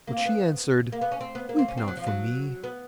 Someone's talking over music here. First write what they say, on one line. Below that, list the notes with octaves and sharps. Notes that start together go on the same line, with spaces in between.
But she answered, 'Weep not for me.
A#3
C4
B3
A#3
B3
C#4
C4
B3
A#3
C4
C#4
C4
F#3
F3
F#3
B3